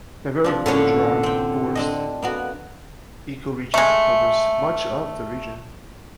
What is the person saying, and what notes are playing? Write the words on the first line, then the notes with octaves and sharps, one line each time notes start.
The Veracruz dry forests ecoregion covers much of the region.
C3 F3 D4
A2 D3 A#3 C#4
C4 G5
C4 D4 D#5
A#3 B3 F#4
G#3 A3